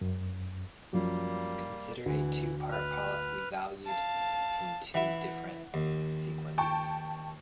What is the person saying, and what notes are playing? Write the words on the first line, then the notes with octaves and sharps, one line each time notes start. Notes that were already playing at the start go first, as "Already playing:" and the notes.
Consider a two-part policy valued in two different sequences.
F#2
F#2 F3 G3 A#3
D2 E3
B4 F6
F5 A5
E3 E4 F#5
D#2
G5 A5 C#6